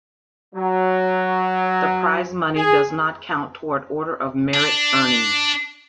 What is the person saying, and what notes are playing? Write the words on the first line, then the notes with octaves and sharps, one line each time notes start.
The prize money does not count toward Order of Merit earnings.
F#3
G#4
D4